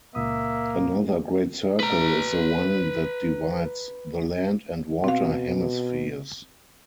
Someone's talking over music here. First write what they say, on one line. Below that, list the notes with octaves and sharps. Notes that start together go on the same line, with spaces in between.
Another great circle is the one that divides the land and water hemispheres.
C#2 A#2 A#3 E5 D#6
B4 A#5
B2 C4 F5